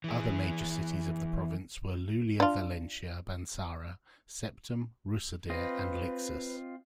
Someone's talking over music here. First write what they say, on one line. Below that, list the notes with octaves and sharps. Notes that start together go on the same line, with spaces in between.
Other major cities of the province were Iulia Valentia Banasa, Septem, Rusadir and Lixus.
E3 G#4
D4 F4
C4 F4 B4 D#5